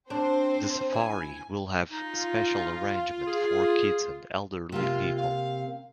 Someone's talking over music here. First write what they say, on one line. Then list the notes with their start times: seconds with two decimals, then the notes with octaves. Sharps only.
The Safari will have special arrangement for kids and elderly people.
0.10 C4 D4 C5
0.94 E4 G#5
1.91 D#4 F4
3.27 G#4
4.72 C3 A#3 F4
5.16 F5